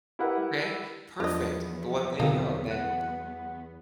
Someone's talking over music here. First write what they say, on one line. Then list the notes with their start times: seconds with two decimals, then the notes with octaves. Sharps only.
Okay. Perfect. The one there you go. Then
0.19 E4 G4 A#4 B4 F#5
1.20 E2 F3 F#3 B3 D4 D#5
2.20 B2 D3 A#3 C4 D#4
2.71 F#5